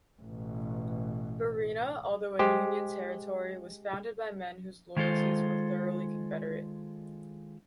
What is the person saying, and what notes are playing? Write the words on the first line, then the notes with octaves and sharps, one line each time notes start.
Verina, although in Union territory, was founded by men whose loyalties were thoroughly Confederate.
A1 B2
G#3 G4 C5
D#3 G#3 F4 A4 C5